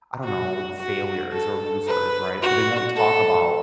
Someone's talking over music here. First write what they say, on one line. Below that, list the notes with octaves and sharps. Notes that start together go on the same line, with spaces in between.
I don't know, failures or losers, right? So, they won't talk about,
F#4
F#4
A4
B4
F#4
A4